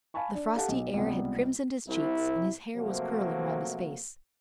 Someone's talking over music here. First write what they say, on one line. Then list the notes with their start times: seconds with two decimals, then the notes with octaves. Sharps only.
The frosty air had crimsoned his cheeks and his hair was curling round his face.
0.14 F5 G#5 A5 B5 C#6
0.35 D4
0.56 G4 A4 F5 F#5 A5
0.69 B1
0.94 C#2 C3 G3 B3
1.87 C2 E4
2.76 C3 F3 F#3 A3 A#3